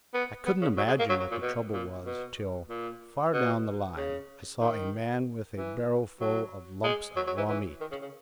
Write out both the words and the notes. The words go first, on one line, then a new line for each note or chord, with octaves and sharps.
I couldn't imagine what the trouble was, till, far down the line, I saw a man with a barrowful of lumps of raw meat.
B3
B3
C#3
F#3
G#3
A#3
F#3
F#3
A#2
B2
A#2
B2
A#2
B2
C#3
D#3
E3
F#3
G#3
F#3
F#3
E3
E3
D#3
C#3
C#3